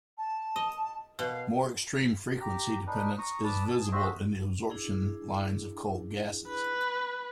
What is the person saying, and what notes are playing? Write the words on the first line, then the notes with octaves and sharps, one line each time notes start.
More extreme frequency-dependence is visible in the absorption lines of cold gases.
A5
D#5
B2 F5
G4 A#5
D4 D#4 B4
A#5 C#6 D#6
B4 D5 A5 D#6
G#4 A5
F#4 C5 D#5 E5
D4 E4 G#4
B4